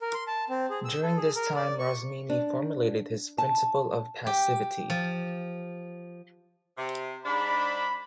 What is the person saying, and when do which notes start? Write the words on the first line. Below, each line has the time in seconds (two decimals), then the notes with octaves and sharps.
During this time Rosmini formulated his "Principle of Passivity".
0.01 A#4
0.14 C6
0.27 A5
0.50 C4
0.70 G#4
0.85 E6
1.03 A4
1.17 G#4
1.36 A#4
1.56 D5
1.79 C#6
2.30 D4
3.38 A5
4.26 G4
4.90 F3
6.76 C3
7.24 G#2 D4 B5